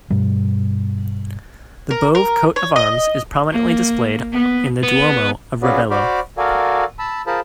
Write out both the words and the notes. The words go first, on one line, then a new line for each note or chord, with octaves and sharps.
The Bove coat of arms is prominently displayed in the Duomo of Ravello.
G2 B2 G3
A#4
A#4
C#5
D#5
A#3
B3
B3
C#4 F4 F#4 G#4 B4 D5
F#4 C5 D5 B5 D6 F6
F#4 A4 A#4 D5 F5 G#5
A5 B5 E6
F4 G#4 A#4 C5 A5 B5